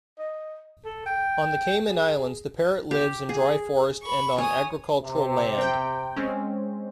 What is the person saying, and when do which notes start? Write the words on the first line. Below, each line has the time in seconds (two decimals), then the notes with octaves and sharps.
On the Cayman Islands the parrot lives in dry forest and on agricultural land.
0.19 D#5
0.85 A4
1.06 G5
1.88 G#4
2.91 G4
3.29 G#4
4.03 B5 C#6
4.38 C#5 G#5 D#6
5.02 C3
5.58 C4 G5
6.16 G#3 C4 C#4